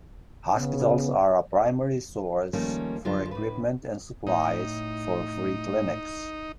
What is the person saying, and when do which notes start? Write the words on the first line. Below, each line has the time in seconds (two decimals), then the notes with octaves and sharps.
Hospitals are a primary source for equipment and supplies for free clinics.
0.56 C#3 B3
2.53 D#3 F3 G3 A3 A#3 C#4
3.05 F#2 D3 D4 F4
3.31 A2 B4
4.27 A2 D#4